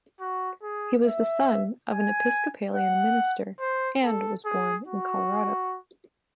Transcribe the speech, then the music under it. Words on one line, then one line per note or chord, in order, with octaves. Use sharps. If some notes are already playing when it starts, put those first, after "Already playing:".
He was the son of an Episcopalian minister, and was born in Colorado.
F#4
G#4
E5
G#5
F#5
C5
A4
G#4
F#4